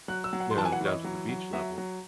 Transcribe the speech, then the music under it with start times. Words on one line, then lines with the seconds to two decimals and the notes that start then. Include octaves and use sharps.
you know, down to the beach level,
0.08 F#3 F#6
0.24 E6
0.33 F#3
0.40 F#5
0.51 C6
0.56 E3 A5
0.65 G#5
0.72 F#5
0.81 E3 C#5
0.88 D#5
1.04 F#3
1.29 F#3
1.53 F#3 E5
1.78 F#3